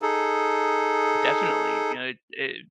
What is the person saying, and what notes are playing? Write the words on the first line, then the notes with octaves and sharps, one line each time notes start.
Definitely. You know, it it
D#4 G#4 A4